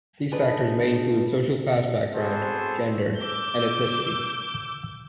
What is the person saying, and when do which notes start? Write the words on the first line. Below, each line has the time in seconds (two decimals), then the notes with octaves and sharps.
These factors may include social class background, gender and ethnicity.
0.32 D4 D#4 G#4 A4 B4
2.14 B3 C4 F#4 G#4 A4 C5
3.18 D6 E6 G6